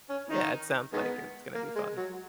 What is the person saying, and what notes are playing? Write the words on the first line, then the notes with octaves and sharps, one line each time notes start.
Yeah, it sounds like it's gonna be fun.
C#4
D#3 D#4
D#3 G#3 B3
A#3
G#3
F#3